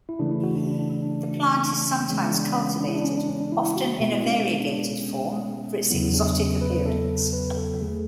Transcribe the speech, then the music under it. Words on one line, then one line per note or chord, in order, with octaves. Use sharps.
The plant is sometimes cultivated, often in a variegated form, for its exotic appearance.
E4
C#3 E3 A3 D4
E4
F#4
D4
D4
D4
D4
D4
D4
C#4
C#3 E3 G#3 B3 C#4
D4
C#4
D4
E4
D4
C#4
D4
C#4
D4
E4
F#4
B2 G#3 B3 F#4
E4
C#4
D4
D4
D4
D4
C#4
C#4
E2 C#3 F#3 B3 E4
D4
C#4
B4
A4
B4
A4
E2 D3 A3 G#4